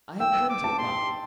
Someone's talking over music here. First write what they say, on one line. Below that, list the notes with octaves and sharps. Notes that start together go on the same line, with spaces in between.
I have plenty of money.'
G5 E6
D6
A5
C6